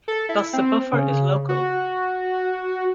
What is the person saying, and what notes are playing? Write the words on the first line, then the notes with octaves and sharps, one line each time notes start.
Thus the buffer is local.
A4
E4
C4
C#3
F#4